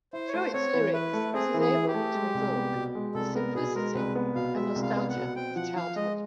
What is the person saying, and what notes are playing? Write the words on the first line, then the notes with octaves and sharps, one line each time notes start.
Through its lyrics, it is able to evoke the simplicity and nostalgia of childhood.
E4 C5
C#5
A3 C5
C4 C#5
E3
E4 B4
A3
C4 G#4
E3
G#4
E4
G4
A3
G#3
C2
B3
B2
G#3
C2 A4
B3 A#4
B2 G#4
G#3 A#4
C2 B4
B3
B2 F5
G#3 E5
C2
F5
B3
F#5
B2
C4 G5
F3 F#5
F3 F5
G#3 D#5